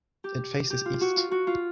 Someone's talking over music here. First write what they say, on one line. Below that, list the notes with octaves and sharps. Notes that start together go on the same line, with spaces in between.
It faces east.
G4
G4
F4
F#4
F4
F#4
F4